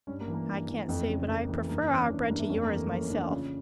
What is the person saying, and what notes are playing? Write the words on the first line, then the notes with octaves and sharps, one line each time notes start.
"I can't say but I prefer our bread to yours, myself."
G2 C#4
A#3
E3
A#3
G2
E3
F2 A3
C#3
F2 A#3
E3
G2 A#3
E3 C#4
E3 D4
D4
G2 A#3
E4
F2 C#4
A#3
E3
A3
F2 A#3
C#4
E3 D4
E4
C#3 F4